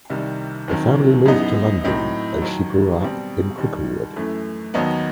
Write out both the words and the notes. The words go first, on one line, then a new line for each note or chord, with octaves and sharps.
The family moved to London and she grew up in Cricklewood.
C2 C3 D#3 G3
D#2 D#3 F#3 C4
F#2 E3 B3 D#4
A2 F#3 C4 D#4
D#2 D#3 F#3
B2 G3 C4
D#2 D#3 G3
F#2 E3 A3
D#2 D#3 F#3 B3 D#4